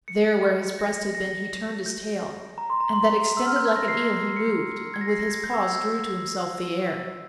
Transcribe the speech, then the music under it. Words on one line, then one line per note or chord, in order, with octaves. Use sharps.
There where his breast had been he turned his tail, And that extended like an eel he moved, And with his paws drew to himself the air.
C#7
A#6
A#6
G6
A#5
C6
A#5
C6
E6
F6
G6
G#6
A#6
C7
C7
C#7
G#6
A#6
C7
A#6
G#6
G6
E6